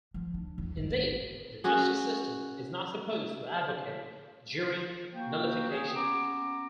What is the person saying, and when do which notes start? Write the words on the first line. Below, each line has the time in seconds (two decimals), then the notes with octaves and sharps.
Indeed, the justice system is not supposed to advocate jury nullification.
0.14 F3
0.34 D4
0.58 E2
0.77 G#1
1.64 C#4 F#4 G#4
5.12 A#3 F#4 G5
5.69 G#4
5.95 B3 C#4 A#5 D6